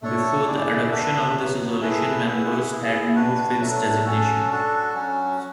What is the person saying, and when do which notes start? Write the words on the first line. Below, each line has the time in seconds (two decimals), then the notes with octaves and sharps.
Before the adoption of this resolution, members had no fixed designation.
0.02 A3 D4 A4 C#5
0.46 E4 G#4 D5
0.91 D4 F#4 B4 E5
1.36 F#3 B3 F#4
1.81 A3 E4 G#4 B4
2.26 E4 G#4 B4 F#5
2.70 B3 E4 G#4
3.15 D4 F#4 B4
3.60 F#3 A3 D4
4.05 C#4 F#4 A4
4.50 D4 F#4 A4
4.94 F#3 C#4 F#4